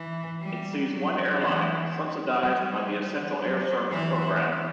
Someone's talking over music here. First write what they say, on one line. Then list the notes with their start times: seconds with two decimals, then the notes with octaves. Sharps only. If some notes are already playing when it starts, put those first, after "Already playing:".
It sees one airline, subsidized by the Essential Air Service program.
Already playing: E3
0.41 G3
0.91 F#3
1.41 E3
2.40 G3
3.40 F#3
3.90 E3
4.40 E3